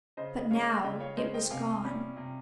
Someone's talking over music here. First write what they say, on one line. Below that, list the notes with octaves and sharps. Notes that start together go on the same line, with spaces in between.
But now it was gone.
C#3 C5 D#5
D#5
G#3 C#4 C#5 F5
C#3 D#5 G5
C#5 F5
G#3 C#4 C5 D#5
D#5 G5
C3 F5 G#5
G3 C#4
C3